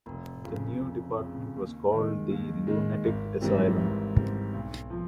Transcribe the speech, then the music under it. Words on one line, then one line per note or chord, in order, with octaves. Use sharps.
The new department was called the Lunatic Asylum.
F1
F2 C#3
F1
F2
C#3
D#2
D#3 G#3
D#2
D#3 G#3
G#1
G#2 E3 G3 C4
G#1
G#2 E3 G3 C4
B1
F3